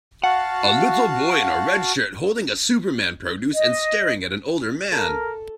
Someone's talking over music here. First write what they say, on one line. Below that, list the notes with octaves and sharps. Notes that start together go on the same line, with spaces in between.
A little boy in a red shirt holding a superman produce and staring at an older man.
F#4 F5 F#5 A5
D#5
A4 A#4